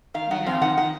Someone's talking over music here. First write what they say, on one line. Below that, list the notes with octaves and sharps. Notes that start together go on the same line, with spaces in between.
You know?
D#3 F5
D#3 F#5
C4 F5
D#3 F#5
D#3 F#5